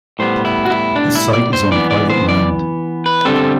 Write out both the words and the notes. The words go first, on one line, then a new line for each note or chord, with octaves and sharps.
This site is on private land.
A2 G3 B3 C5
E4
F#4
E4
D4
E4
D5
C5
E3 B3 D5
D5
C5
D5
B4
D3 G3 C4 A4